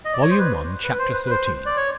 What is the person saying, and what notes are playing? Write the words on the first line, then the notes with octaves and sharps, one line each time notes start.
Volume One, Chapter XIII.
D#5
D5
C#5
C5
B4
B4
C5
B4
B4
C5
D5
C#5